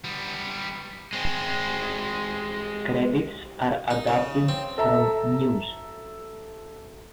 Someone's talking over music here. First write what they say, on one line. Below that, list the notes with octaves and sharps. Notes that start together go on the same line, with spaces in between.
Credits are adapted from Muze.
G3 B3
G#3 C4
D#4
C#3
C4
A4 E5 A#5